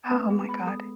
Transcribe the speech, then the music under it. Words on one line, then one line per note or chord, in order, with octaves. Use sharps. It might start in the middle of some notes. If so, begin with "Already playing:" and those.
Oh my god.
A3 C#4 B4
G#3 B3 G#4
B5
A4